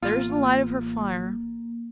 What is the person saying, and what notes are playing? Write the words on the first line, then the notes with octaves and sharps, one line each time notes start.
'There's the light of her fire.'
A1 A#3 F4